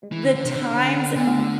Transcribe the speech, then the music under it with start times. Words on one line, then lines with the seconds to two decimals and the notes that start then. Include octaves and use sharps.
the times, eh
0.12 E3
0.24 D3
0.35 D3
0.45 C3
0.56 D3
1.16 D3 B3
1.27 A3
1.39 A3